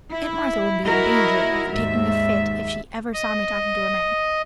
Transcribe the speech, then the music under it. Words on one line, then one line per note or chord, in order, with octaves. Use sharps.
Aunt Martha would be in danger of taking a fit if she ever saw me talking to a man.
E4
E4 F#4 A#4 D#5
D#2 G#2 E5
D#5